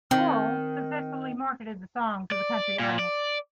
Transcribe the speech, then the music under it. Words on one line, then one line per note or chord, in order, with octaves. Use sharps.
Coral successfully marketed the song to the country audience.
D#3 C4
D5
A#2
D5